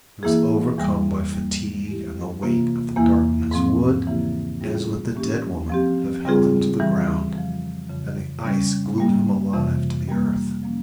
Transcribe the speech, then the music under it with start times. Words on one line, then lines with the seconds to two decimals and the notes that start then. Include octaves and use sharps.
He was overcome by fatigue, and the weight of the darkness would, as with the dead woman, have held him to the ground, and the ice glued him alive to the earth.
0.23 E3 A#3 E4 G#4
0.78 E2 E3 G3
1.33 G#2 G3 A#3
1.87 E3 G#3 E4 G4
2.42 C3 E3 A#3 F4
2.96 E2 E3 A#3 E4
3.51 G#2 F3 C4
4.06 C#3 E3 A#3 E4 G4
4.61 G2 G3 C#4 F4 G#4
5.16 E3 A#3 C#4 G4
5.69 F3 C4 G4
6.25 C#3 G3 C4 F4 G#4
6.79 G2 E3 G3
7.34 F2 C#3 F3
7.89 F2 C#3 E3
8.43 C#3 G3 C#4
8.98 G2 G3 A#3
9.53 F2 C3 E3
10.08 G2 G3 A#3
10.63 F3 A#3 C#4